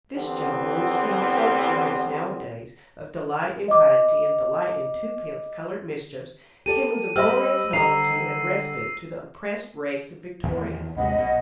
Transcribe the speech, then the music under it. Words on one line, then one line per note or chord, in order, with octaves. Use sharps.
This jumble--which seems so curious nowadays--of delight in piety and delight in twopence-coloured mischiefs came as a glorious novelty and respite to the oppressed race of Victorians.
E2 D3 E3 G3 B3 C4
D#5 D6
G4 A4 D5 D#7
G3 G4 C5 D#5 B5 E6 F6 A#6
D3 G3 A#5 C7
E2 D#3 E3
D#2 C3 G#3 D#5 F#5 B5
B1 B2